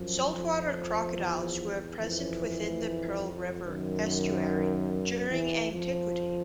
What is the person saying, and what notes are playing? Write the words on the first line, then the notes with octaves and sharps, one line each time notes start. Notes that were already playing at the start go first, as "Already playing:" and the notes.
Saltwater crocodiles were present within the Pearl River estuary during antiquity.
Already playing: F#2 F3
F2
E2
F2 E3
F#2 D#3
E2 E3
F2 F3
F2